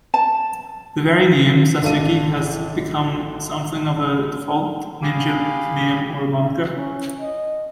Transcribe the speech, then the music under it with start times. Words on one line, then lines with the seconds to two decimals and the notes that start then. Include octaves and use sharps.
The very name Sasuke has become something of a default ninja name or moniker.
0.14 A5
1.82 G#1 D4 A4 F5 D#7
5.02 G4 G#4 F5 G#5 B5 D6
6.73 C#4
7.21 D#5